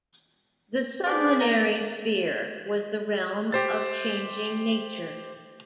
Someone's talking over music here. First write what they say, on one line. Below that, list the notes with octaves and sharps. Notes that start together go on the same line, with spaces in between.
The sublunary sphere was the realm of changing nature.
D4 G#4 B4 C5 D5
A#3 A#5
G4 C5 A6